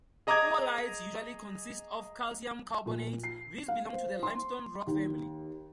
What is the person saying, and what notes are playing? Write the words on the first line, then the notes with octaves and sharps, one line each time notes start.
Oolites usually consist of calcium carbonate; these belong to the limestone rock family.
G#4 D#5 A#5 D6 D#6 G#6
A#2
C7
F5
C5
C6
D#2